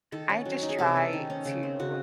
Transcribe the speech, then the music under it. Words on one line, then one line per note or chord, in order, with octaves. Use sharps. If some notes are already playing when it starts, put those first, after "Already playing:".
I just try to
D#3 A4
C#4
F#3
D#4
G#4
C3 A4
C#4
D#3
C#4
C#3
C4
C#3 F#4